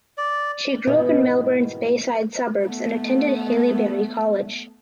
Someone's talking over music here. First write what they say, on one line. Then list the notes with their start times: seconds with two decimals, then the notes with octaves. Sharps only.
She grew up in Melbourne’s bayside suburbs and attended Haileybury College.
0.18 D5
0.87 G#2 B2 D#3 E3 B3
2.62 A3 B3